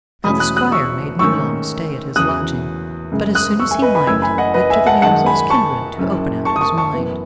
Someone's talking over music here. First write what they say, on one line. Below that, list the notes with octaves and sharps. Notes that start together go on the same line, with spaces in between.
Now the squire made no long stay at his lodging, but as soon as he might, went to the damsel's kindred to open out his mind.
E2 B2 A3 C#4 B5 D#6
D#6 F#6
D#6 F#6
C#6 E6
G#2 D#3 A3 C#4 C#6 E6
E2 C#3 F#3 C#4 D#6 F#6
F#2 C#3 G#3
D#6 F#6
C#6 E6
E5 G#5
B4 D#5
G#5 B5
F#1 F#2 E3 A3 C#4 E6 G#6
G#5 B5
D#5 F#5
B4 D#5
E5 G#5
F#5 A5
F#2 D#3 G#3 D#4 F#5 A5
G#5 B5
A5 C#6
F#1 F#2 C#3
A5 C#6
D#6
A5 C#6
A5 C#6
F#2 E3 B3